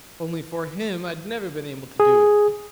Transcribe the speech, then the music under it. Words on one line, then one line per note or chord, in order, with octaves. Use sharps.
Only for him, I'd never been able to do it.
G#4